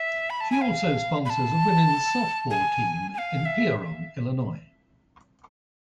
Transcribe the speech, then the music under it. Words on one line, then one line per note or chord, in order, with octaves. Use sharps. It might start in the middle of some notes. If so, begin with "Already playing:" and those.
She also sponsors a women's softball team in Pierron, Illinois.
Already playing: E5
B5
A5
G#5
F5
B5
A5
G#5
G#5
F5
E5